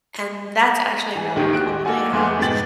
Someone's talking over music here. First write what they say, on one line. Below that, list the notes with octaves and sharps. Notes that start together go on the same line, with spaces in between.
and that's actually really cool, they have
E3 G#4
A1 D#2 D#3 G4
F#4 G4 F#6 D7
A#3 A4 F#5 G#5
F1 A3 B3 G#4 F#5 D6
G#2 B2 G#3 G5 A6 F#7